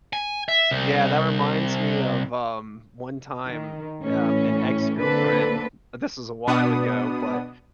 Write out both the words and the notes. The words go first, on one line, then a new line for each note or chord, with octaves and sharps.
Yeah, that reminds me of, um, one time, um, an ex-girlfriend this was a while ago, but,
G#5
E5
C2
D#3
A2 E3 C#4
D3 A#3 C4 D4 A4 B4
B2 B3 D4 D#6